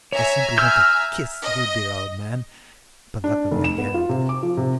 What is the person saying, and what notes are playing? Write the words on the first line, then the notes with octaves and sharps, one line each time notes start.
I simply want to kiss you, dear old man, but luckily I can't.
C#5 E5 G#5 A#5
E6 F6 G6
D#5
D4
F1
E7
B3
F4
C3
D6
F3
C3